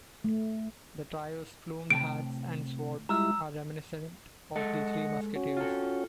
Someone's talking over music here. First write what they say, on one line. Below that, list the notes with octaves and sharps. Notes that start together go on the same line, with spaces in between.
The trio's plumed hats and swords are reminiscent of the Three Musketeers.
A3
A2 C3 G5 A5 D7
G3 G#3 E4 F4 E5 A#5 E6 F6
G#3 A4 D#5 F#5
C#4 F#4
F4 A4